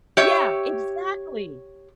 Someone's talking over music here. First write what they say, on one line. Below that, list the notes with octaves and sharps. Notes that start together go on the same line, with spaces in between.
Yeah, exactly,
G4 C#5 E5